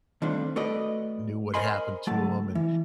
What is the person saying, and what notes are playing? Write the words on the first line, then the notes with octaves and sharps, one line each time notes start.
knew what happened to him, and,
D#3 G3 A3 C4 D4 F4
A3 F#4 A4 B4 D5 D#5
A#4 C5 D#5 G#5 B5 C6
C#2 F#3 A3 A5
E3